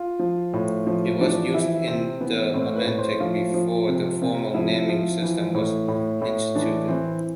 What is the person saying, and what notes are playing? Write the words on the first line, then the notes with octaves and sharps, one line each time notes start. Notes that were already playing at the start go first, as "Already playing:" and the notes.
It was used in the Atlantic before the formal naming system was instituted.
Already playing: F4
F3
A2
F3
E3 D4
E3 E4
C3 C4
E3 B3
A2 C4
B4
A2
C5
F3 F4
F3
C3
C3
F3 E4
F3
E3
A2
A2
A2
E3 D4
E3 C4